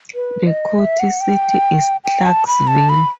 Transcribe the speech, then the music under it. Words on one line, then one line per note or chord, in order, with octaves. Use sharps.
The county seat is Clarkesville.
B4
D#5
E5
F#5
G5
G5
A5
B5
A5
B5